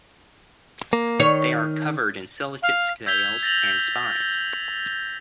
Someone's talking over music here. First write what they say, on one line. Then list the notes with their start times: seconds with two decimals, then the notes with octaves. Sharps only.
They are covered in silicate scales and spines.
0.93 A#3
1.20 D#3 C#5
2.62 F5
3.06 E6 G6 G#6 B6 F7 G7
3.43 A6 A#6 F7 F#7